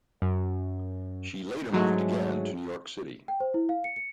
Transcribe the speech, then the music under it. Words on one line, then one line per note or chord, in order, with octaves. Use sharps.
She later moved again to New York City.
F#2
G#2 F#3 G#3 A3
G5
C5
E4
F5
C#7
C#7